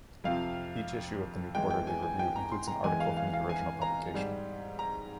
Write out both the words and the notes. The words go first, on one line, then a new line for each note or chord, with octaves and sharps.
Each issue of the new "Quarterly Review" includes an article from the original publication.
F2 C3 F3 F5
E2 E3 G#3 G5
G5
G#5
G#5
G5
A#5
C6
A#5
E2 E3 G#3 G#5
F5
F5
F5
G#5
A#5
G#2 G3
A#5